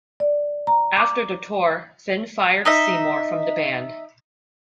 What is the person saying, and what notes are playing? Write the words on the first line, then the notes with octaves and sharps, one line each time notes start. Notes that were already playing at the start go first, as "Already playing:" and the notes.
After the tour, Finn fired Seymour from the band.
D5
A#5
D6
D#4 D#5 E5